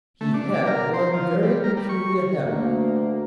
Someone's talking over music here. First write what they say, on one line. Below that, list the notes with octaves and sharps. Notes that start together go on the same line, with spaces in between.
He had one very peculiar habit.
A3
D4
D5
A#4
C5
F3
G3
A#4
G3
C#6
D2 A#3